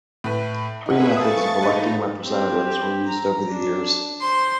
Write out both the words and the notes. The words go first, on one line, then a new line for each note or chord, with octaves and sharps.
Three methods of electing representatives were used over the years.
A2 B4
E3 G#3 D#4 G#4 A#4 B4 E5 F#5
E3 F3 A3 C#6 D#6 A6
G#3 D#4 B4 A6
C4 G4
A#5
D4
C5 C6